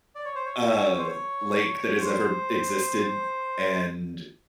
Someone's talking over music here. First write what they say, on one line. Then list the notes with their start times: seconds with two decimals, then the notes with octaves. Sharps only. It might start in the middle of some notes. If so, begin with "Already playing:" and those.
uh, lake that has ever existed. And
0.15 D5
0.25 C#5
0.35 C5
0.45 C#5
0.98 C5
1.08 C#5
2.01 C5